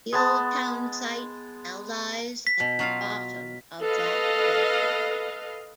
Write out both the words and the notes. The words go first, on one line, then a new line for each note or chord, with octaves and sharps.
The old townsite now lies at the bottom of that lake.
G#3 B3 A5
B6
B2
F#3 F4 F5
A4 B4 D#5 F5